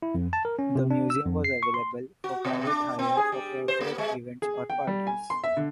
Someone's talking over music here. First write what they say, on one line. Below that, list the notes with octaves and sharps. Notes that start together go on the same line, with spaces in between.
The museum was available for private hire for corporate events or parties.
E4
F2
A5
A#4
C#4
C3
D4
E6
F2
C7
C#6
C6
F#4
B2
D4
C4
G#4
G3
C5
A#3
G#3
G#4
G5
G3
G#5
C6
E5
D3